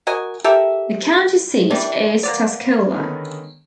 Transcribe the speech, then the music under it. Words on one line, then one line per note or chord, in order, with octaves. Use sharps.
The county seat is Tuscola.
F#4 A#4 D#5 G#5
G4 A4 A#4 E5
D#3 E3 G3 D4
A#3 B3 D5
D3 D#3 G#3 B3 C#4 D#4